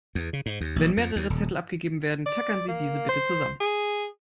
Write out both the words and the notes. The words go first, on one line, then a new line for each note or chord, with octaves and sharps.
Wenn mehrere Zettel abgegeben werden, tackern Sie diese bitte zusammen.
E2
C#3
G#2
D#2
A#1
F2
D#2
D#1
D5
A#3
C5
G#4